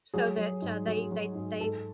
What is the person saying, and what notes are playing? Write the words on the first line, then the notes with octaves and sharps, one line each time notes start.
so that, uh, they they they
F#3 G#4
F#3
G#2
F#3
F#3
G#2
G#2 A4